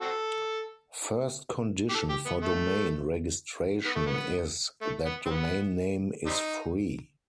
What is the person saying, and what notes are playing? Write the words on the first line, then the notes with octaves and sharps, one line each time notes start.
First condition for domain registration is that domain name is free.
C4 F#4 A4
G4
A4
G4
B3
A3
B3
A3
B3
A3
B3
C4
B3
G3 C4 D#4